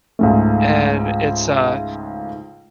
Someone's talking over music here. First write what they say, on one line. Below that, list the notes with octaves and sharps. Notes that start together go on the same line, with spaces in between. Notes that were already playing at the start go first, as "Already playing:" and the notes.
And it's a
C#2 G#2 A3